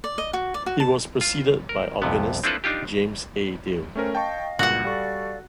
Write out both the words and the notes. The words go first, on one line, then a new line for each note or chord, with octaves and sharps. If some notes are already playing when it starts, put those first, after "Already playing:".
He was preceded by organist James A. Dale.
D5
D#5
F#4
D5
F#4
A5
F4
A#4
C2 F2 C3 B3
C4 D4 E4 F4 A4 B4
D4 D#4 F4 G4
A3 C#4 A#4 C5 G5
D#5 F5 G5 A5 C#6
C#2 G2 A#2 F#4 F#5
G3 A4 D5 F5 C#6